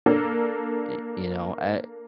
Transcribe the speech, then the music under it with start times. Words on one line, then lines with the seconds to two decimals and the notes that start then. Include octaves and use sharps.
y you know, I
0.06 A#3 D4 A4